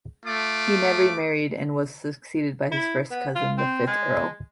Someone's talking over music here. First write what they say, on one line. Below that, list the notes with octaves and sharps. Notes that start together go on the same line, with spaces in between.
He never married and was succeeded by his first cousin, the fifth Earl.
A3 F4 D6
E4
B3
F4
C4
G#3